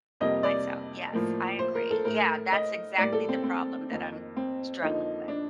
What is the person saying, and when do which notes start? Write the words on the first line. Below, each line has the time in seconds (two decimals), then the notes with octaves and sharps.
Myself. Yes, I agree. Yeah, that's exactly the problem that I'm struggling with.
0.20 F2 C3 G3 A#3 D#5
0.43 D5
1.13 A2 F3 A#3
1.59 C5
1.75 A#4
1.91 A4
2.05 A2 A3 A#4
2.52 D#5
2.98 A2 G3 A#3 D5
3.13 A4
3.29 C4
3.44 C4
3.89 F2 D#3 A#3
4.37 C4
4.82 F2 D3 F3 A#3 D#4
5.28 D4